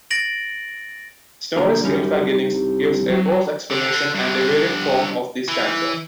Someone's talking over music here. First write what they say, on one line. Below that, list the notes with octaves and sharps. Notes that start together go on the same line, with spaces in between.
Snorri's "Gylfaginning" gives a prose explanation and a variant form of these stanzas.
A6 A#6 D7 F#7
A#2 D3 A#4
F#2 G3 C#4 D#4
C2
F#3
D3
G2 D3
E3